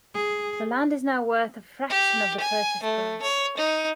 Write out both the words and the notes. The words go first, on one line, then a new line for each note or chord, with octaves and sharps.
The land is now worth a fraction of the purchase price.
G#4
G4
G#5
A3
C#5
D#4